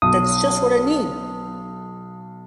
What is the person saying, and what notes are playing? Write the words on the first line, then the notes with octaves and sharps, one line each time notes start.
That's just what I need!
B1 D#6